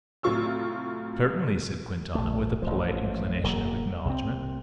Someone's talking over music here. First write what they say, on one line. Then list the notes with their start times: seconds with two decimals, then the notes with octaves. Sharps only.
"Certainly," said Quintana, with a polite inclination of acknowledgment.
0.23 C2 A2 F#3 F4 C#6 E6
2.15 A#1 A3
2.62 A1 F3
3.43 E1 F#3 A#3
4.05 C2 C4